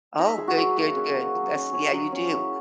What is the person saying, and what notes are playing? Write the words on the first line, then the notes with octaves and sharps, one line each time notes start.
Oh, good, good, good. That's yeah, you do.
D#4 D#5
E5
G#3 G#4
F#4
F#3 G#4
A#3 F#4
C#4 G#4
A#3
F#3
C#4
C#4 G#4
F#3
C#4
E4